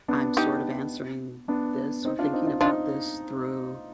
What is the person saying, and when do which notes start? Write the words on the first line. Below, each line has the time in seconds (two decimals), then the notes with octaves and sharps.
I'm sort of answering this or thinking about this through,
0.08 B3 D4
0.36 B3 D4 D#4 G4
1.48 B3 D4
2.05 C4 D#4
2.19 D4 F4
2.33 C4 D#4
2.47 D4 F4
2.61 C4 D4 D#4 F4